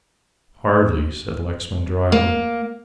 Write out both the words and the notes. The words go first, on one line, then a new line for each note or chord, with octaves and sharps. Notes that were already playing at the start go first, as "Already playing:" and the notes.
"Hardly," said Lexman, drily.
A#3